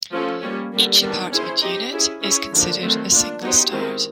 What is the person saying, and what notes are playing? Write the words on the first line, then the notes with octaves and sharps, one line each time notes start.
Each apartment unit is considered a single start.
F3 A3 C#4 F4 A4
G3 A#3 C#4
D3 G3 A#3
D#3 G3 B3 D4
C#4 E4 G#4 C5
C4 D#4 G4
C#4 E4 G#4
C#4 E4 G#4 C#5
D3 F3 A#3 D4
D#3 F#3 A3 C4
A#3 D4 F4
F#3 B3 D#4 G4 C5
D#3 G#3 C4 E4